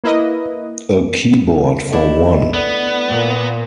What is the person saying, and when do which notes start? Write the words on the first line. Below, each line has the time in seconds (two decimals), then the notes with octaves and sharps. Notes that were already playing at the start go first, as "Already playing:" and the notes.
A keyboard for one.
0.04 A#3 E4 B4 D#5
1.93 A3 D4 E4 D#5
2.54 B3 D5
3.09 A#2